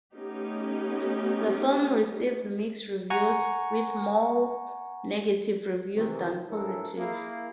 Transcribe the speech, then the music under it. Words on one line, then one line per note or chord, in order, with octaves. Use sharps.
The film received mixed reviews, with more negative reviews than positive.
A3 B3 C#4 D#4 G4
F#5 G#5 A#5 C#6
C3 D#3 E3
A#1 A2 G#3 E4 A4 A#4
A#3 E4 G#4